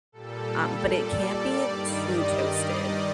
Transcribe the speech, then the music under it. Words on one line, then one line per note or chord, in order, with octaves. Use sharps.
um, but it can't be too toasted,
A#2 G3 A4
D5
D5
G2 D#3 G3
D#5
D#5